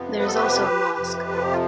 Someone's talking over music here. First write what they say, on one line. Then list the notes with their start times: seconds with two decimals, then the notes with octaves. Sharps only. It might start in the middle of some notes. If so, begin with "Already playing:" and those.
There is also a mosque.
Already playing: F2 C3 F3 B3
0.19 B4
0.26 A4
0.34 G4 B4
0.98 F2 C3 F3
1.33 F4
1.38 G4
1.52 F4